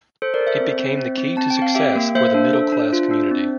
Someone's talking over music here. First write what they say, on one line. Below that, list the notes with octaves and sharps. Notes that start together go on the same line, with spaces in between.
It became the key to success for the middle class community.
A4 C5
A#4 D5
A4
C5 E5
C4
C4
C4
C4
C4 A5
G5
C4 F5
G4 E5 G5
A#3
A#3 C5 E5
D4
A4
D4
F4
D4
C4